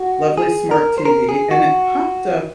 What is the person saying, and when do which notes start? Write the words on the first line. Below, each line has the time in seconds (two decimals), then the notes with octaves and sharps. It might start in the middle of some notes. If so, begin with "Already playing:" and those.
lovely smart TV and it popped up
Already playing: F#4
0.38 G#4
0.71 A#4
0.98 C5
1.05 A#4
1.29 G#4
1.51 F#4